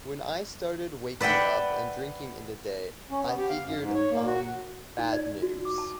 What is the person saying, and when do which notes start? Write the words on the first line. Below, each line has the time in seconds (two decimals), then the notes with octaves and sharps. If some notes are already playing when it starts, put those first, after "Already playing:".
When I started waking up and drinking in the day, I figured-umm, bad news.
1.21 B4 D5 E5 F#5 G5
3.11 C#4
3.24 B3
3.38 G4
3.50 F5
3.64 F#2
3.79 G#2
3.94 C#5
4.11 A#3
4.26 F#4
4.98 D#4
5.13 D5
5.42 F#4
5.65 D6
5.78 A5